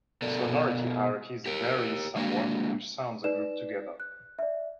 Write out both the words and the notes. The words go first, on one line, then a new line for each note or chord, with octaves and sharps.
Sonority hierarchies vary somewhat in which sounds are grouped together.
B2 A4 A#4 D5
G4 A#4
G#3 A#3 D4 F#4
D#4 B4 D5 E7
F#6
D5 E5